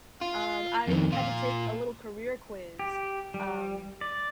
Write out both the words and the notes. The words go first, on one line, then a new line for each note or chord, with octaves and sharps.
um, I had to take a little career quiz, um,
F4
F2 D#3
A#2 F4
G4
G3
D5